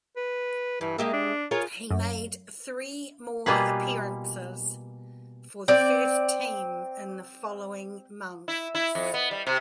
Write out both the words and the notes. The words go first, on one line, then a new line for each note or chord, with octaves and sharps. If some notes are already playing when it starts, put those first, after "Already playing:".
He made three more appearances for the first team in the following months.
B4
G2 E3
G#3 A#3 G4 E5
D4
F4 G#4 A#4 C#5
F#2
B2 G3 A#3 F4 G#4 B4
C4 D5
E4
E4
F2
B3
G3
C3